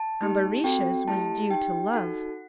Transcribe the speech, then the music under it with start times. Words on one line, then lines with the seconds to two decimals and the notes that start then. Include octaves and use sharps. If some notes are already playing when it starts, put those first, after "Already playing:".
Ambarisha's was due to love.
Already playing: A5
0.21 A3 D#4 G4
0.64 C4 F#4 A4 G5
1.08 A3 E4 G4 A5
1.50 D#4 G4 G5
1.93 D#4 F#4 A4 F#5